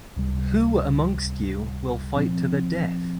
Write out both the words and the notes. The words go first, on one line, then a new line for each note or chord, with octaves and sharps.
Who amongst you will fight to the death?
C#2 C3 G3
A#2 F3 C4